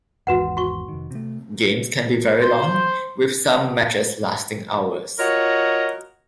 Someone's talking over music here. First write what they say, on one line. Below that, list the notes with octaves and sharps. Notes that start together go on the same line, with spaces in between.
Games can be very long, with some matches lasting hours.
G#1 E2 G#2 F#4 B4 F#5
F#4 C#6
F1 D#3
C3 A3
C5
F4 F#4 A#4 C#5 D#5